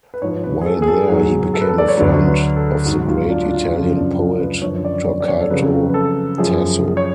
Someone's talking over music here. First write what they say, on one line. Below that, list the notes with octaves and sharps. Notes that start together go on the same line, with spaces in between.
While there he became a friend of the great Italian poet Torquato Tasso.
B4
G#2 F3 C#5
B4
G#4
A4
G#4
A4
G#2 F#3 G#4
A4
B4
A4
D5
C#5
D2 D3 F#3 B4
B4
A4
G#2 F#3 F#4
F4
F4
D4
D4
F4
F#2 C#3 F3 F4
D4
F4
B4
F#2 D3 F3 C#5
D5
C#5
D5
C#5
A4
F2 C#3 F#3 B4
B4
A4
F#2 F3 G#4
C#5